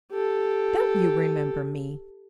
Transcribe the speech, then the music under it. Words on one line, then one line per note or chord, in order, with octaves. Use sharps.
"Don't you remember me?"
G4 A4